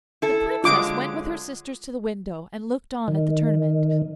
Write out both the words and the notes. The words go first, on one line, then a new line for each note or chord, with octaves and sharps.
The Princess went with her sisters to the window and looked on at the tournament.
E4 A4
D3 F#3 G#3 F4 D6
D#3